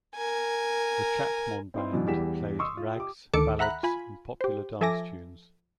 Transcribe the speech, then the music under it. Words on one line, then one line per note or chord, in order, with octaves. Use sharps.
The Chatmon band played rags, ballads, and popular dance tunes.
A#4 G#5
C4 D#4 E4 C5 C6
F#2 B2 E3 F#3 D4
E2 E3 G3 G4 B6 E7
C6 C#6 D#6 E6
F4
G4 D6
D2 D#3 A4 D6 C#7
E5 F#5 A#5 B5 F#6
F4 G#5 B5
G4 C5
F3 A4 E5 G#5 D6 A#6